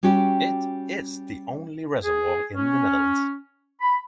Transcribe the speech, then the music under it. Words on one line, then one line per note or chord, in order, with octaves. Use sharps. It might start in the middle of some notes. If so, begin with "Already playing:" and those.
It is the only reservoir in the Netherlands.
G3 C#4 F#4 G4
G#4
C#4
B5